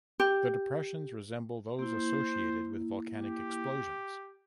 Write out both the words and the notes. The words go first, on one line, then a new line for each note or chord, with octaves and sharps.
The depressions resemble those associated with volcanic explosions.
G4
A#3 E4 C5
G4